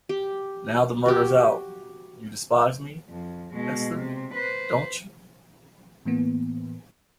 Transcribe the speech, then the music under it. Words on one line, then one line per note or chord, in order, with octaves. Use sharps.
Now the murder's out; you despise me, Esther, don't you?
G4
F#4 G4
F2
B2 G#3
C3
B4 C5
A2 E3 A#3 B3